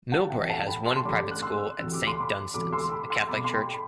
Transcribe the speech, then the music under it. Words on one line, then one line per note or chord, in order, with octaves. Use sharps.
Millbrae has one private school at Saint Dunstan's, a Catholic church.
F#5 A5
D2 C3 E3 E5 G5
F#5 A5
G5 B5
A5 C6
C6
A1 G2 D3 B5 D6
F#6
C6 E6
D2 C3 E3 E6
D6
C6
B5 D6
E1 D2 C3 E3 B5 D6
C6 E6
B5 D6
C6 E6
C2 B2 B5 D6
C6
G5 B5
B5